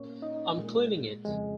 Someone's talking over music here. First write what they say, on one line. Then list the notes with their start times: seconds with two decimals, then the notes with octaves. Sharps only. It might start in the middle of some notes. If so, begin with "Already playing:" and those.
I'm cleaning it.
Already playing: A#2 A#3 C#4 C#5
0.22 D#4 D#5
0.57 A#2 G#3
1.25 F2 C#3 G#3